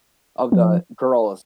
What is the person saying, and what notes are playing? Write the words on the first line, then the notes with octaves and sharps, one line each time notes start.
of the girls.
F3